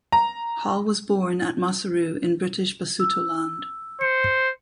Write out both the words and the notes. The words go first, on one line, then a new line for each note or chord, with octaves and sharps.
Hall was born at Maseru in British Basutoland.
A#5
E6
C5 C#7